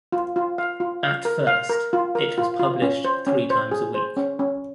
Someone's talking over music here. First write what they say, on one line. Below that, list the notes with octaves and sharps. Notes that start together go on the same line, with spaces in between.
At first, it was published three times a week.
F4
F4
F5
F4
F5
A#4
F5
A#4
F4
A#4
F4
F4
C#4
C5
C#4
C5
G#4
C5
C#4
C#4